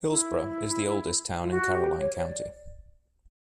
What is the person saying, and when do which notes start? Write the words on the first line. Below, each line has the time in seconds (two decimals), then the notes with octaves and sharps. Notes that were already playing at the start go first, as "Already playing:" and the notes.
Hillsboro is the oldest town in Caroline County.
0.08 E4
1.43 F4
1.50 F#4
1.72 G4
1.97 C#5
2.20 D5